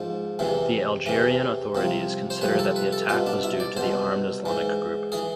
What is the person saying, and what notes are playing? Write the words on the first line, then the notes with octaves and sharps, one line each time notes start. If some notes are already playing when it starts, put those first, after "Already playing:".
The Algerian authorities consider that the attack was due to the Armed Islamic Group.
Already playing: G#2 F3
E2 C3 E3
E2 C3 E3
C2 C3 F3
C5
C2 C3 F3 B4
A4
B4
A4
C2 B2 F4
D4
E4
D5
C2 B2 C5
G#2 E3
E3 G#4